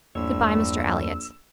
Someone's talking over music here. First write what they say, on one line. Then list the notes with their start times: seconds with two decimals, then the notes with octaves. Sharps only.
"Good-bye, Mr. Elliott."
0.15 A#1 E2 G2 E4 C#5 E6